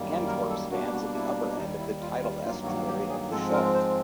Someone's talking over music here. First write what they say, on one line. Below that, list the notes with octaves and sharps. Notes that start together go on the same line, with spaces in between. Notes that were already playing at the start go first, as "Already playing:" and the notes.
Antwerp stands at the upper end of the tidal estuary of the Scheldt.
Already playing: F#2 D#3 G3 A#3
A#4
A4
B2 G3 A#3 D4 F#4
G4
F#4
E4
D#2 D#3 G3 D#4
E4
F4
F4
G2 D#3 F#3 A#3 F4
F#4
G4
G#4
G#2 F3 G#3 C4 A4
A#4
C5